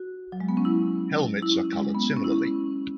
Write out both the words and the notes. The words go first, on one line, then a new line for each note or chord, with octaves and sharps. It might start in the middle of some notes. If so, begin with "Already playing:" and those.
Helmets are coloured similarly.
Already playing: F#4
F#3
G#3
B3
C#4
E4
E4
C#4
G#3
B3
C#4
E4
C#4